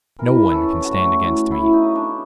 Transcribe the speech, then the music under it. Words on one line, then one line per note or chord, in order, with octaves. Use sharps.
No one can stand against me.
E3 A#4
B4
C#4 A4
A3 F#4
A2
B3 E4
D#4
C#3
D4